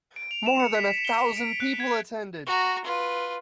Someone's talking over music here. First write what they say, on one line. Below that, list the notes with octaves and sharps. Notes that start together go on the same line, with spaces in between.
More than a thousand people attended.
D7
F7
E7
C#7
B6
G7
E7
D7
F#6
G#6
F#4 A#5
F4 B4